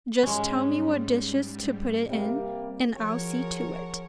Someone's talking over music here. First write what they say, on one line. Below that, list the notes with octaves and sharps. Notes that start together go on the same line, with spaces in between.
Just tell me what dishes to put it in, and I'll see to it.
G#2 G3 G#3 C#4
C3 G3 A#3
F3 F#4 G#4 A#4 C#5